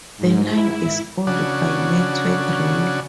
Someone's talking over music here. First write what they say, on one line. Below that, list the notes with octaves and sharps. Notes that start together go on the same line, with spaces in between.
The line is owned by Network Rail.
G#2
E4
C#3 D4 F#4